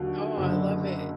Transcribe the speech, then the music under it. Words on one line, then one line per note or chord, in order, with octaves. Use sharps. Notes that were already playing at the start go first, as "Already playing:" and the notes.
Oh, I love it.
Already playing: D#2 D3 F#3
F#1 F#2 D3